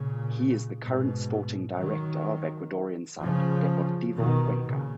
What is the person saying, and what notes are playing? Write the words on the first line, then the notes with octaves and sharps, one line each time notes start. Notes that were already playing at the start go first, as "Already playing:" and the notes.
He is the current sporting director of Ecuadorian side Deportivo Cuenca.
Already playing: A#2 C#3
G#2 B2
D#3 F#3
C#3 F3
B2 D#3
A#2 C#3